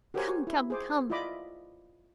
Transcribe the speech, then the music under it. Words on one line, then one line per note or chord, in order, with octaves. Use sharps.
'Come, come, come!
F#4 G4 A#4 C5 C#5 G#5
E4
G#4 C5 D6
E4 F4 D5 D#5 B5 D6